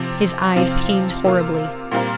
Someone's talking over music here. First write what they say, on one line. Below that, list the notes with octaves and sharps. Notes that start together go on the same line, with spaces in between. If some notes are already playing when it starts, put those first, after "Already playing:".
His eyes pained horribly.
Already playing: C3 F3 C4
C3 F3 C4 F4
C3 A#3 F4
A#2 G3 C4 F4 A#4